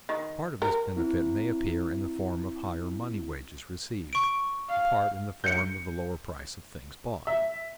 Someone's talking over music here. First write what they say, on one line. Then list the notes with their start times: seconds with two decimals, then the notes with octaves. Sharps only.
A part of this benefit may appear in the form of higher money wages received, a part in the form of the lower price of things bought.
0.09 D#3
0.62 A#4
0.96 C4 E4
4.13 C#6 D7
4.70 F5
5.44 G6 C#7
7.27 E5